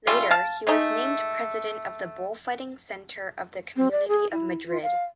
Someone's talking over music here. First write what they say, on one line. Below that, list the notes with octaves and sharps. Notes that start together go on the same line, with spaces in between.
Later he was named President of the Bullfighting Center of the Community of Madrid.
C#3 G3 A3 F4
F5 A5
G#3 A3 D#4
C4
D5
G#4
E4
F4
F5